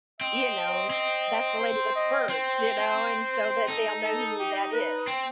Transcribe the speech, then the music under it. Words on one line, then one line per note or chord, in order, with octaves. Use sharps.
you know, "That's the lady with the birds," you know, and, so, that they'll know who that is.
C4 D#5
C4
C5
D#5
C4 C5
D#4 A4
A4
G4
B4
C4